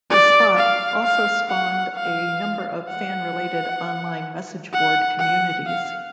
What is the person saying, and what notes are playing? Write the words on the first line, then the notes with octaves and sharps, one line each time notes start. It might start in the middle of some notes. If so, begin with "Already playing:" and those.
The Spot also spawned a number of fan-related online message board communities.
D5
F5
F5
F#5
F5
F#5
F#5
F#5
F5